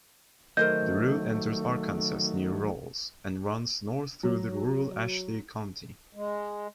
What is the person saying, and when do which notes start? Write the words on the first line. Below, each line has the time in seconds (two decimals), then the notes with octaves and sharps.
The route enters Arkansas near Rawls and runs north through rural Ashley County.
0.57 D#3 F#3 A3 A#4 C5 D#5 G6
4.23 F#3
6.15 G#3